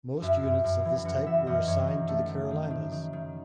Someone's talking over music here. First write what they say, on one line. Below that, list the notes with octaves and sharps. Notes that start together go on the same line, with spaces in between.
Most units of this type were assigned to the Carolinas.
F#2 E5
F#2
F#2
E3
F#2 F#5
E3 E5
F#2 D#5
F#2 C#5
D#3
A3
D#3
D#3
D#3
D#3
D#3